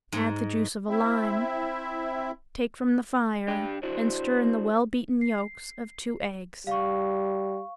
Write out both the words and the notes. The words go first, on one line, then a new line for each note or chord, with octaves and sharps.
Add the juice of a lime, take from the fire and stir in the well-beaten yolks of two eggs.
G#2
C4 E4 E5
G3 D4 G4 G5
D4 E4 F#4 C5
C7
G3 F5 C#6